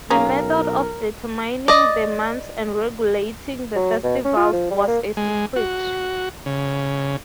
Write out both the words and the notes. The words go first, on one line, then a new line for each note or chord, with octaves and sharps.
The method of determining the months and regulating the festivals was a secret.
B1 C#4 G#4 A#4 F5 A#5
D5 D#5
F#3
B2
C#4
F4
F3
G3
A#3
G#3
F#4
C#3